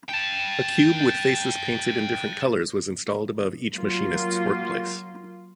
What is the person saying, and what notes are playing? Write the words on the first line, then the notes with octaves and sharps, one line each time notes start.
A cube with faces painted in different colors was installed above each machinist's workplace.
G5 A5
F#3 A#3 F4